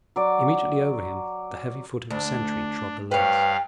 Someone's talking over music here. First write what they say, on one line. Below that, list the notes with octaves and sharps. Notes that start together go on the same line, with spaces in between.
Immediately over him the heavy foot of a sentry trod the leads.
F#3 D5
D2 D4
G2 B4 C#5 F5 G5